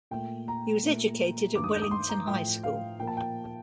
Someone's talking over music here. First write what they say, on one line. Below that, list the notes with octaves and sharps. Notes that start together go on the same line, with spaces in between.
He was educated at Wellington High School.
A#2 A3 G5
A#5
A#2 A3
G2 D#3 A3 D6
D#6
G6
D#6
C6
A#5
A2 F3 A3 G5
F5
A#2 F3 A#3 G5
A5
G5